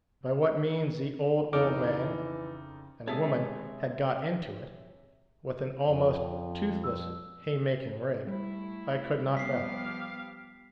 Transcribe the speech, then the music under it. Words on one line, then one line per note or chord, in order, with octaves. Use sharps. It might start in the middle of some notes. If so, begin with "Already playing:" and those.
By what means the old old man and woman had got into it, with an almost toothless hay-making rake, I could not fathom.
F2 C#3 E3 D#4 A4 D6 F6
C3 G#3 A4 C#5 E5 D#6
F2
E6
G3 A3 E4
F3 B3 G4 F5 B6 C7